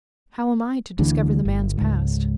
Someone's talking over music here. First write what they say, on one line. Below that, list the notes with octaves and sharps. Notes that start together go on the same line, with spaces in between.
"How am I to discover the man's past?"
D2 D3 E3 D4
G1
C#2 G#2